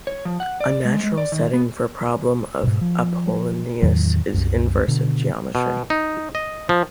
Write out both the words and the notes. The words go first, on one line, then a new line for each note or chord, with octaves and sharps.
A natural setting for problem of Apollonius is inversive geometry.
C#5
F3
F#5
D5
G#3
G#3
D5
D#3
B3
G#2 B2
F3
E2 A2 D#3 F#3
C2 F#2
B2 D3
B2
D#4
D#5
F3